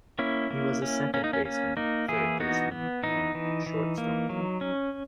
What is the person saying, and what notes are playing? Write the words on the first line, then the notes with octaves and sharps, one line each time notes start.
He was a second baseman, third baseman and shortstop.
A#3 C#4 E4
A#3
C#4
A#3 C#4
D#4
C#4
A#3 C#4
A#3 D#4
E3 E4 G#4
B3 D#4 F#4
B3
E3 D#4
E3
E3
A#3
F#3
C#4